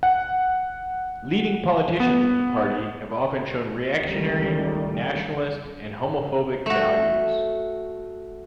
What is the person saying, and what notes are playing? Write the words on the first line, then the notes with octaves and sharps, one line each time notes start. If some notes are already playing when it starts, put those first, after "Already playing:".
Leading politicians of the party have often shown reactionary, nationalist, and homophobic values.
F#5
B3
C#2 D#3 G3 A3
A3 F#4